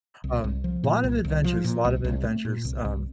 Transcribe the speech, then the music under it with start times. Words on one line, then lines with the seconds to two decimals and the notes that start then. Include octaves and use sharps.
um, lot of adventures, lot of adventures, um,
0.24 C2
0.44 C2
0.64 F3
0.84 A#2
1.04 C2
1.25 C2
1.44 F3
1.64 A#2
1.85 C2
2.04 C2
2.25 A3
2.45 A#2
2.65 C2
2.85 C2